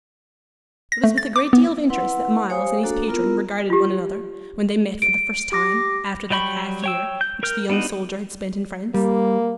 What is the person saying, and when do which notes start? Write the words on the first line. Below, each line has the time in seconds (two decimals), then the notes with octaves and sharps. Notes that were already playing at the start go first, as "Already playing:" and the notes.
It was with a great deal of interest that Myles and his patron regarded one another when they met for the first time after that half-year which the young soldier had spent in France.
0.92 A#6
1.04 A3
1.18 A6
1.36 D6
1.53 B3
1.90 E4 B4 F#5 C6
2.50 G4 C5 C#5 F5 G#5 D#6
2.83 A#3 D4 F#4 A4
3.08 A#3 B3 E4 F4 A#4
3.70 F4 G4
5.02 D7
5.52 G4 D6 A#6
6.30 F#3 G3 G5 B5 C#6
6.84 C#5 G5 E6
7.21 G6
7.43 A#4 F6 G6
7.70 B3 D4 D#4 F#4
8.94 G3 A#3